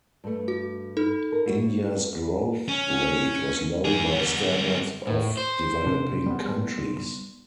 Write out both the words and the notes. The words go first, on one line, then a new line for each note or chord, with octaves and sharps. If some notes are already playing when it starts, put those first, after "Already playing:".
India's growth rate was low by standards of developing countries.
G2 A3
F#4
D#4 A4
A#4
A3 F#4
C#4
E3 G#4
G3 B3
A2
C5
C3 D4
G3 B3